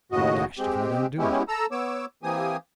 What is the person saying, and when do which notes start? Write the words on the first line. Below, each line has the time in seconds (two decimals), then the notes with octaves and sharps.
'I'm dashed if I don't do it.
0.12 D#2 A2 C#3 F#4 D#5
0.58 G#3 C4 G4
1.18 G#3 B3 C#4 E4 G4
1.48 A4 A#5 E6
1.71 B3 C#5 D6 E6
2.23 E3 A#3 C4 G4 G#5 D#6